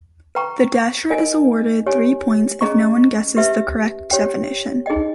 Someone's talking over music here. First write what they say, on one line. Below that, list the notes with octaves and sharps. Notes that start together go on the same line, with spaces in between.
The dasher is awarded three points if no one guesses the correct definition.
B4 G5 A#5 C#6
D#4 A#4 D#5 G#5
G4 C#5 G#5
C#4 G#4 D#5 A#5 C#6
G4 B4 E5
G4 C#5 G5
D#4 G#4 D#5 G5